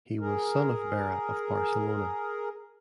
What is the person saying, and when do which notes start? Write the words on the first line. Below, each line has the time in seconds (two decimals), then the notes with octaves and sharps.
He was son of Bera of Barcelona.
0.19 G#4 A#4